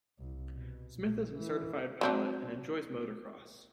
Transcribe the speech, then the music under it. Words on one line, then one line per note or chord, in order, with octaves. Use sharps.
Smith is a certified pilot, and enjoys motorcross.
C2
B2
A#1
E3
F#3 C4 D4